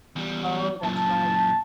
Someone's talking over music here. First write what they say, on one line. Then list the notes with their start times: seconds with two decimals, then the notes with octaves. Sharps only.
Oh, that's right.
0.16 E2 G3
0.83 F#2 A#2 A5